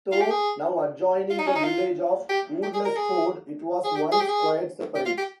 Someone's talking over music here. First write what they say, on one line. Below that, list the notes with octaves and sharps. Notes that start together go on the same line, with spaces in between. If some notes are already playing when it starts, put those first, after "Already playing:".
Though now adjoining the village of Woodlesford, it was once quite separate.
F4
G4
G#4
F4
D#4
C#4
D#4
F4
G4
G4
G#4
A#4
G#4
G#4
G4
G#4
G4
G#4
G4
F4
G4